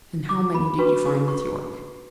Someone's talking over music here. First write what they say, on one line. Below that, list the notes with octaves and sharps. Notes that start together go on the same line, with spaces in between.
"And how many did you find with Yorke?"
D6
B5
D4 F#4 B4 C#6
C#6